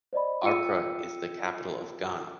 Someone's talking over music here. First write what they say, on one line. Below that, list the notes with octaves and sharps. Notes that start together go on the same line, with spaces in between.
Accra is the capital of Ghana.
C5 D5 D#5 B5
F4 G5 E6 C#7 D#7